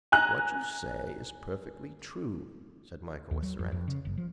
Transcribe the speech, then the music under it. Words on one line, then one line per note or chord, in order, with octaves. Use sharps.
"What you say is perfectly true," said Michael, with serenity.
G#5 A#5 F#6
D#2
F#3
F2
F2
C#3
F#1
F3